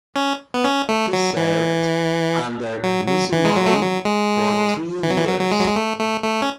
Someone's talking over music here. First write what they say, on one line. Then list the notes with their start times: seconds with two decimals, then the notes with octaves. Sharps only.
He served under Mizumori for three years.
0.16 C#4
0.54 B3
0.64 C#4
0.89 A3
1.13 F#3
1.37 E3
2.84 F#3
3.08 F#3
3.32 E3
3.45 G#3
3.56 F#3
3.66 A3
3.73 G#3
3.81 F#3
4.05 G#3
5.03 E3
5.10 F#3
5.18 E3
5.27 F#3
5.40 F#3
5.51 G#3
5.59 F#3
5.68 G#3
5.76 A3
5.99 A3
6.24 A3
6.42 C#4